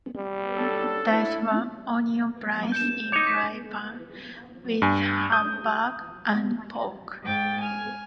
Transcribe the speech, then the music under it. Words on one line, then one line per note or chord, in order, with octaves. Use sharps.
Dice one onion -place in fry pan with Hamburg and pork.
G3
F#3 D4 A4
E4
G6 E7
D#4 C#5 D6
C#6 B6
G2 G#5
D#6 G6
G#2 G5 A6
G#5 F6